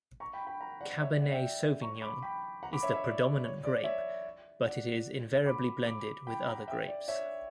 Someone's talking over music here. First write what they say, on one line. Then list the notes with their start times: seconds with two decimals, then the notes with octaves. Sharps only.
Cabernet Sauvignon is the predominant grape, but it is invariably blended with other grapes.
0.20 A#5 C#6
0.33 G5 B5
0.47 G5 B5
0.61 F#5 A#5
0.81 D5 F#5
1.01 C#5 E5
1.11 D5
1.21 D5 F#5
1.31 E5 G5
1.81 A#5 C#6
2.02 B5 D6
2.22 G5 B5
2.63 F#5 A#5
2.73 B5 D6
2.83 C#5 E5
2.93 C#5 E5
3.04 D5
3.44 C#5
3.64 D5
3.84 C#5 E5
4.65 D5 F#5
5.46 B5 D6
5.87 B5 D6
6.27 G5 B5
6.47 F#5 A#5
6.68 E5 G5
6.87 D5
7.08 C#5 E5